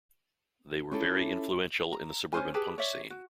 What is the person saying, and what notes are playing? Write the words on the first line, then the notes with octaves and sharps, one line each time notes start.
They were very influential in the suburban punk scene.
C#4 E4 F4 G4 A4
A#5
C#4 F#4 C5 G#5
G4 G#4 B4 A5
C#5 D5 E5
F#4